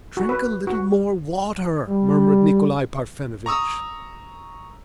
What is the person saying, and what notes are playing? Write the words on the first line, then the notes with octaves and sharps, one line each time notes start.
"Drink a little more water," murmured Nikolay Parfenovitch.
F#4
B4
F#4
G3
A#5 C#6 D#6 E6